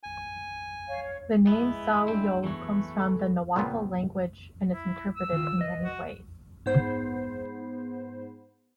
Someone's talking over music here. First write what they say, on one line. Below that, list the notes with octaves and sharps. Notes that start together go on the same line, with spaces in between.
The name Sahuayo comes from the Nahuatl language, and is interpreted in many ways.
G#5
C#5 F5
G#3 B3 E4
C4 D4
E2 E3 F#3 A3 B3 C#6
A4
A#2 C#3 F3 B3 C4
E4
E6
D#3 F4
B4 D#5
F#4
G#2 B3 C5